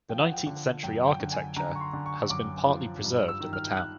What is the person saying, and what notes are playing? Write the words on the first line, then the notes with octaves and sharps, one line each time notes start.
The nineteenth century architecture has been partly preserved in the town.
F3 G5
F#5
G5
D3
F#2 G5
G5
D3
G#5
D3 A#5
C#6
C6
D3
C#6
F#2 D6
F3
G2
E6
D#3
F6
F#6